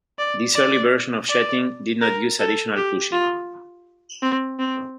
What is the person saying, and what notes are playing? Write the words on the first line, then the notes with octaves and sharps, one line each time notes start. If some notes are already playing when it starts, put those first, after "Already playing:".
This early version of jetting did not use additional pushing.
D5
D5
D5
A#4
A4
G4
F4
C4
C4